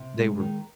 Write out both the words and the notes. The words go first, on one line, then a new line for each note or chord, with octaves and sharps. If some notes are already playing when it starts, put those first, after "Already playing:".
They were
Already playing: C3
G#3
D#3